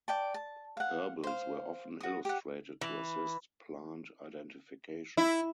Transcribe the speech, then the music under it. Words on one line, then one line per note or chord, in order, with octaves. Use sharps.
Herbals were often illustrated to assist plant identification.
D5 G5 A5
A5
F5 F#5
C5 F5
F#4 D#6
G4 F#5
E3
E4